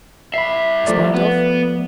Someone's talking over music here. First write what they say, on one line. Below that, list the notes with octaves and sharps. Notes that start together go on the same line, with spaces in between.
In spite of?
C2 E5 B5 C7
F3 A3 D5
B3